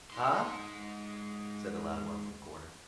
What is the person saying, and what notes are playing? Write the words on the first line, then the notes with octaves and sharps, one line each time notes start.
"Huh!" said the loud one from a corner.
G#2 C6